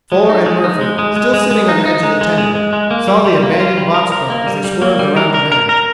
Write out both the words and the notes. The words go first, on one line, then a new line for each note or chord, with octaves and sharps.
Fuller and Murphy, still sitting on the edge of the tender, saw the abandoned box-car as they swerved around the bend.
G#3
D#4
G#3
D#4
G#3
G#3
G#3
G#3
G#3
D#4
D#4
G#3
G#3
G#3
G#3
G#3
A#3
G3
G3
A#3
F4
G3
A#4
A#4
A#3
G3
G3
A#3
G3
A#4
A#4
A#4
A#4